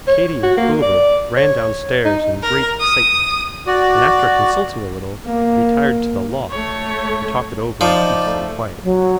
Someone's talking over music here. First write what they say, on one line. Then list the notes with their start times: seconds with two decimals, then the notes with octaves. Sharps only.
Katy and Clover ran down stairs in great excitement, and after consulting a little, retired to the Loft to talk it over in peace and quiet.
0.07 C#5
0.43 F#4
0.57 A#3
0.82 D5
1.37 C#5
2.05 D#4
2.43 A#4
2.80 D#6
3.67 F#4 D5
5.26 A#3
6.50 A3 C#5
7.81 F3 D#4 D5
8.25 A3
8.84 F#3